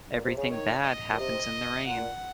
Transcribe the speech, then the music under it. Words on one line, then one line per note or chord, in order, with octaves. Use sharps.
Everything bad happens in the rain.
A#2
C3
C#3
D#3 C#5
D#5
A#2
C3 D#5
A#2 F#5